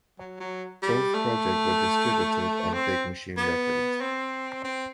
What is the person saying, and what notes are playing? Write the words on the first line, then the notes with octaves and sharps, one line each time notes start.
Both projects were distributed on Big Machine Records.
F#3
F#3
G3
A3
C4
B3
C4
C4